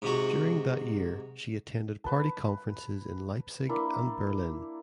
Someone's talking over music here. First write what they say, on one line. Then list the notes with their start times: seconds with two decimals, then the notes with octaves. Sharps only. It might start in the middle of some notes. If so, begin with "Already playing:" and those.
During that year she attended party conferences in Leipzig and Berlin.
0.02 G#2 C3 F#4
2.04 B4 A5
3.69 A#3 D4 E4 D5